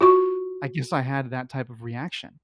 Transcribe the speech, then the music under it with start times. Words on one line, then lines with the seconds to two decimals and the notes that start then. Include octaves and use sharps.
I guess I had that type of reaction.
0.01 F4 F#4 C#6